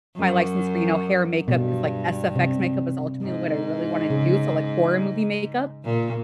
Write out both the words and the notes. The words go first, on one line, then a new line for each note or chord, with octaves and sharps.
my license for, you know, hair and makeup 'cause, like, SFX makeup is ultimately what I really wanna do, so, like horror movie makeup.
F#2
G2 B2
C3
G#2
C#3
A#2